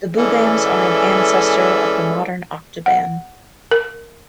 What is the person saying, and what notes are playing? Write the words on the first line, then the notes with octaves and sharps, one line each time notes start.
The boobams are an ancestor of the modern octoban.
E3 G#3 C#4 A4 D5 E5
F#5
A#4